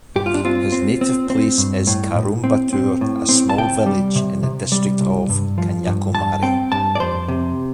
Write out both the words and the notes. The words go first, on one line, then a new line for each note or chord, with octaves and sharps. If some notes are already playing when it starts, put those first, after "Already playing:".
His native place is Karumbattoor, a small village in the district of Kanyakumari.
G2 G4
F4
D4
C4 F4
C4
C4
C4
G2
A2
A2
C4
C4
A2
C4
A5
C3 G5
G3
C3
C3
G3
C2
G2
F3
G2
G2 A5
C4 G5
G2 A5
D5
F2 C5
C3